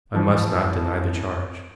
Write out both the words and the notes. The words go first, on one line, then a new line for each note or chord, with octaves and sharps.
"I must not deny the charge."
E3 F3